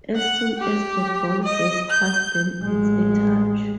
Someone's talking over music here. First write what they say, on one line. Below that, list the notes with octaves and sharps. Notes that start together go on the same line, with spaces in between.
As soon as the ball gets past them, it's in touch.
F#5
G4
D#5
G6
A1 G#3